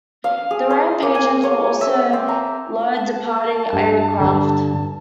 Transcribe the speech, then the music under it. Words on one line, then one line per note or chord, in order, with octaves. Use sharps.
The ramp agents will also load departing aircraft.
F5
G#4
C5
A#3
G#5
C#5
E5
C4
A#5
A5
G2
G2 D3